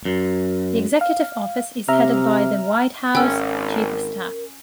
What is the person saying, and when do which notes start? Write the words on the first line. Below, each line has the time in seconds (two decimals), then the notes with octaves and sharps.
The Executive Office is headed by the White House Chief of Staff.
0.05 F#2
1.01 F5
1.88 C3 E5 A#5 F6
3.15 G#1 C#4 A#4 G5 E6